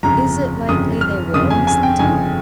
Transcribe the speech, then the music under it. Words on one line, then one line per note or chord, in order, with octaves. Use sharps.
"Is it likely they will, Miss Linton?"
G1 F2 C#3 A#5
G1 F2 C#3 D#6
F6
G1 F2 C#3 D#6
G#5
G#5
G5
G1 F2 C#3 G#5